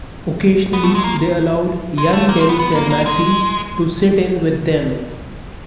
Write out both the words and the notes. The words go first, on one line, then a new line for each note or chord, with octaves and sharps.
Occasionally they allowed young Denny Carmassi to sit in with them.
B3
A3
G#3
A#3
G#3
A3
A#3
C4
B3
B3
A#3
A#3
G#3